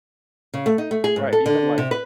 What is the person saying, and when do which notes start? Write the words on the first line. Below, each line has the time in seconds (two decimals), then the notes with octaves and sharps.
right, even, like
0.54 C#3
0.66 A3
0.78 D#4
0.91 A3
1.04 G#4
1.16 G#2
1.33 A4
1.46 D3
1.78 C3
1.91 B4